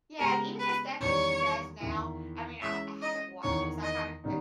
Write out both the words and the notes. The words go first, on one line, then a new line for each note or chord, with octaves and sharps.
Yeah, and even the stuff that she does now, I mean, I I haven't watched it, so, I kind of and
C#3 G#3 B3 G4 A#4
B4
E2 D#3 G3 C#5
E2 D#3 A#3 E4
E3 G#3 C#4 E5
D#5
E2 D#3 A#3 D#4 C#5
D#5
D#3 G3 B3 D#4